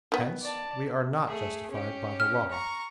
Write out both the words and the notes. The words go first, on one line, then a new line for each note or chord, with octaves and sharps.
Hence, we are not justified by the Law.
D#3 B3
D5 A5
A3 G#4
C#4 G4
F6
A#5 C#6